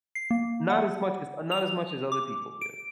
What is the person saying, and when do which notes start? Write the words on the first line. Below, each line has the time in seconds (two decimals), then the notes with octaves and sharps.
Not as much as uh, not as much as other people do,
0.15 C7
0.31 A#3
0.70 F#5
1.52 F7
2.12 D6
2.61 D7